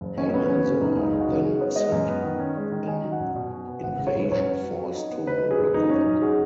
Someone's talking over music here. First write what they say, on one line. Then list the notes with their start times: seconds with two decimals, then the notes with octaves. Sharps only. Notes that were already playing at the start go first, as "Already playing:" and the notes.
Almanzor then sent an invasion force to Morocco.
0.01 F#1
0.17 D#3 C#4
0.29 C#4
0.33 F#2 B3
0.49 F#3 C#4
0.65 C#3 C#4
0.81 F#2 D#4
0.96 C#2 D#4
1.13 G#3
1.20 F#4
1.29 C#3
1.44 F#4 G#4
1.60 B3 C#5
1.76 G#3 D#5
1.92 F#2
2.08 B3
2.24 D#3
2.40 C#4
2.56 G#3
2.72 D#3
2.87 D#4 G#5
3.03 F#3
3.12 F#5
3.20 F#2
3.35 B2
3.52 F#4
3.67 B3
3.83 G#1 F#5
3.99 C#3
4.07 C#5
4.15 F#2 B4
4.31 F#2 C#5
4.47 C#4
4.63 F#3
4.79 F#4
4.95 D#4
5.11 B3
5.26 D#4 B4
5.42 F#3
5.51 G#4
5.58 F#2
5.74 F#1 D#4
5.90 F#3 C#4
6.06 F#2
6.22 F#4 G#4